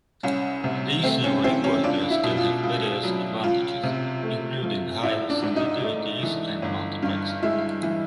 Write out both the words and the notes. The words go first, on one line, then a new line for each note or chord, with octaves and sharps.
These new reporters can have various advantages, including higher sensitivities and multiplexing.
C2 C#4
C3
A3 C4
C#4
E3 C4
C#4
C#2 D4
E4
B2
F4
C#2
F#3
C#2 F4
C3
A3
F3
G#1 E4
D4
G#2
D#4
A3
E3
G1
G2
G#3 E4
E3